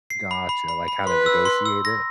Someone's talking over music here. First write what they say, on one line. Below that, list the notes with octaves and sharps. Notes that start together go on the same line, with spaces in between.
Gotcha. Like how to negotiate it?
C7
B5
B5
B5
B5
B4 C6
E6
C6
E6
A#6